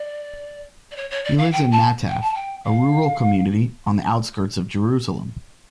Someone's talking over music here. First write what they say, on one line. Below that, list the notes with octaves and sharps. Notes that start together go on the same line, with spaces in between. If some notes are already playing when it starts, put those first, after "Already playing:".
He lives in Nataf, a rural community, on the outskirts of Jerusalem.
Already playing: D5
D5
C#5
C#5
D5
F5
G5
A5
G5
A5
G5
F5